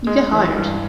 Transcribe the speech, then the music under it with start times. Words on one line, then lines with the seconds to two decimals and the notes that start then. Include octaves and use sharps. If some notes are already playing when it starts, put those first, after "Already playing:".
You get hired.
0.07 G#3
0.32 E3
0.56 G2